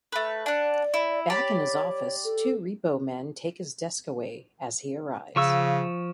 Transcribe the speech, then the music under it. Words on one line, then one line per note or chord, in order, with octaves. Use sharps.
Back in his office two repo men take his desk away as he arrives.
A3 B4
D4 D5 F#5
E4
G4 C#5 D5 B5
A4
C#3 F3 C#6 E6